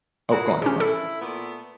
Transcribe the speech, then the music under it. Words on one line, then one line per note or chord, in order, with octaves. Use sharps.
oh, go on, go on.
E4 F#4 G#4
F3 C#4 G4 G#4
E4 A4
A#2 A3 B3